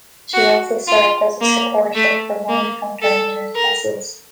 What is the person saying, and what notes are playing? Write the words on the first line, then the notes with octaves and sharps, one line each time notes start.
She also served as a support ship for Mine Counter Measures vessels.
F#4
F4
A#3
A3
A#3
A4
A#4